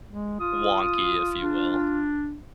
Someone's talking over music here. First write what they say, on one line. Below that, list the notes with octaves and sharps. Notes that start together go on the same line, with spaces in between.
wonky, if you will?
G#3
F4 D#6
D4